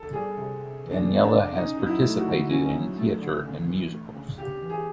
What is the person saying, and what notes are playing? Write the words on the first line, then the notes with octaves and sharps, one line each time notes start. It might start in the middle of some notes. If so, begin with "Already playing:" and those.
Daniela has participated in theater and musicals.
Already playing: A4
G3 G#4
C3
C3
E3
D4
G3
D4
C3
C#4 D#4
F#3 D#4
E4
A3
F#4
D3
C#4
F#3
A3
D3
C#3
E3
A3
C#3
C#3 G4
E3
G#4